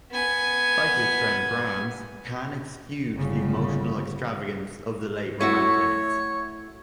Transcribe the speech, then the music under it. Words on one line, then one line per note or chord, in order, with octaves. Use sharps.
Like his friend Brahms, Kahn eschewed the emotional extravagance of the late Romantics.
B3 G#5
G1 C#3
A3 E4 F#4 C#5